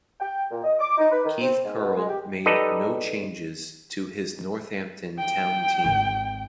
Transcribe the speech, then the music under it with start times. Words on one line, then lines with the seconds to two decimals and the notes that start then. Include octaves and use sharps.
Keith Curle made no changes to his Northampton Town team.
0.20 G5
0.51 A#2
0.63 D#5
0.79 D6
0.98 D#4
1.11 B4
1.24 D#3
1.41 C4
1.64 G#2
1.80 B2
1.96 G#3
2.08 G4
2.46 D#4 G4 A4 B4 D5 D#5
5.18 G5
5.84 G#1 D#3